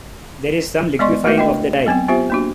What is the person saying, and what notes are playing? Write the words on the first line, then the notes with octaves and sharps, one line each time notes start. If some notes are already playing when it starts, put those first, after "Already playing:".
There is some liquefying of the dye.
G#3 B3 D5 D#5 C6 C#6
A3 E4 F#4 A#4 B4 E5
D4 D#5 G5
F#3 B3 C4 G5
B3 F4 G4 C5 E5
A#3 D4 F#4